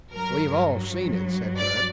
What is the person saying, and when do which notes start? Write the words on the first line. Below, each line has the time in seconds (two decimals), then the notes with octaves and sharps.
"We've all seen it," said Bert.
0.13 G2 F#3 A#4
1.58 D5